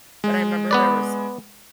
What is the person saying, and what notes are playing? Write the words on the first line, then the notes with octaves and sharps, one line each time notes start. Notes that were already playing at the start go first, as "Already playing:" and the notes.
but I 'member there was
G#3
B3 B4 D5